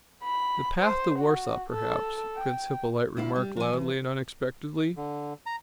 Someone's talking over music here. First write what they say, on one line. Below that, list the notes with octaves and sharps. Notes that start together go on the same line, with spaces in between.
"The path to Warsaw, perhaps," Prince Hippolyte remarked loudly and unexpectedly.
B5
C5
F#4
A4
G5
D2 E4 F5
G3
F3 G#5
E3
D3
A#5